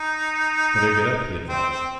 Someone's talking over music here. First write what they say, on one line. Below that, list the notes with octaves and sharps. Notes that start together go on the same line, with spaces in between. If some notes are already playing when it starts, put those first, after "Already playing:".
"Better get up," he advised.
Already playing: D#4
C4
C4